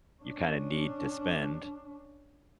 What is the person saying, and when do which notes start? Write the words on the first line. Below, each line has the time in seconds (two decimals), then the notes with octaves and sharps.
you kinda need to spend.
0.23 C#4 D4